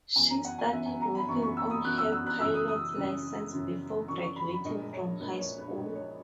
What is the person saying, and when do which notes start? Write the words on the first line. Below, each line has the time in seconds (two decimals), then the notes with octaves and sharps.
She started working on her pilot's license before graduating from high school.
0.16 F#2 E3 B3 G#5
0.30 A#5
0.45 F#5
0.59 G#5
0.72 F#2 E3 B3 E5
0.86 G#5
1.01 A#5
1.15 B5
1.28 F#2 E3 B3 C#6
1.42 C#6
1.57 E6
1.70 D#6
1.85 F#2 E3 B3 F#6
1.98 E6
2.13 E6
2.26 F#6
2.40 F#2 C#3 E3 E6
2.54 D#6
2.68 D#6
2.97 F#2 C#3 E3
3.53 F#2 C#3 E3
4.08 F#2 C#3 E3 C#6
4.23 C#6
4.36 B5
4.50 B5
4.65 A#1 A#2 G#3 D#4 D#5
4.93 C#5
5.20 A#1 A#2 G#3 D#4 B4
5.39 C#5
5.58 B4
5.77 A#1 A#2 G#3 D#4
5.95 C#5